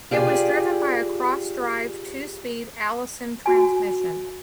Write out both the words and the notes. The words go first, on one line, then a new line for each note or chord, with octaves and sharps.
It was driven by a cross-drive, two-speed Allison transmission.
F4 G4 G#4 D5
F#4 G#5